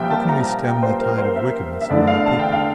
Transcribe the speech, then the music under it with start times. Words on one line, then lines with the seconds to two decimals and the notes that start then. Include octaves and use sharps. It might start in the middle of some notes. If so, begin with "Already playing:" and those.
How can we stem the tide of wickedness among the people?
Already playing: C2 A#2 F3 A#3 E4 E5 G5
0.10 A5
0.29 A#5
0.64 G5
0.83 C5
1.00 A#4
1.18 C5
1.36 E5
1.81 E5
1.89 E2 D3 A3 E4 D5
2.07 F5
2.26 A5
2.39 G5
2.52 F5